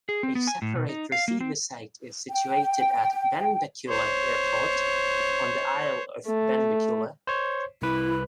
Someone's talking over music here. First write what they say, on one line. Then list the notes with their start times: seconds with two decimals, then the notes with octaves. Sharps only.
A separate receiver site is situated at Benbecula Airport, on the Isle of Benbecula.
0.09 G#4
0.23 C4
0.35 B3
0.47 G#5
0.62 A2
0.75 B2
0.89 D#4
1.12 F5
1.28 A#3
1.40 C4
2.31 G5
3.90 C5 C#5
6.26 A3
7.27 C5 C#5
7.82 C2 E4 B4